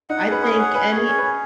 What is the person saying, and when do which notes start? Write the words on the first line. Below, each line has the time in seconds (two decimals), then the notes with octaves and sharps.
I think any
0.10 D#4 F#5
0.26 C#4 G#4
0.32 B4
0.42 G#4 B4
0.53 C#5
0.59 F#5
0.75 C#4 B4
0.91 G#4 C#5
1.07 C#4
1.18 B4
1.24 C#4